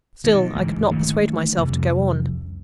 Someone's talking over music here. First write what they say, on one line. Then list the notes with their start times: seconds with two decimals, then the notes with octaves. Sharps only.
Still I could not persuade myself to go on.
0.24 B2 D#3
0.55 G1 C#2 G#2 E3
0.91 D#3 A3 A#3 C#4
1.58 C2 F2